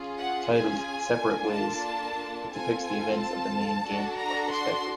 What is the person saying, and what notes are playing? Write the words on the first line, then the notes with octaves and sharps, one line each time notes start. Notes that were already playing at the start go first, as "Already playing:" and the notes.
Titled "Separate Ways", it depicts the events of the main game from her perspective.
Already playing: C#4 F4 G#4
F#5
G#5
A#3 D4 F4 A4
A5
C4 F4 A4 G#5
G#5
A5
D4 F#4 A4
A#5
C6